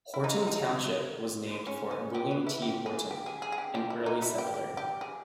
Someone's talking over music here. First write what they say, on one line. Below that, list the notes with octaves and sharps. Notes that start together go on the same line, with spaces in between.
Horton Township was named for William T. Horton, an early settler.
E4
D#4
E4
D#4
C#4
C#4
G4
B3
E4
G4
G#4
G4
G#4
G#4
G#4
G4
G4
E4
D#4
E4
G4
G4
G4
G#4